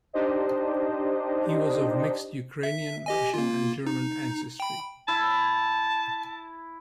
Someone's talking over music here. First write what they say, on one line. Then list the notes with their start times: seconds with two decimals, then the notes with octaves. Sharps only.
He was of mixed Ukrainian, Russian, and German ancestry.
0.13 D4 D#4 G4 C5 D#5
2.63 E5
3.06 G4 D#5 G#5
3.34 A#3 F4
3.86 D#4
4.60 G5 B5
5.08 E4 A5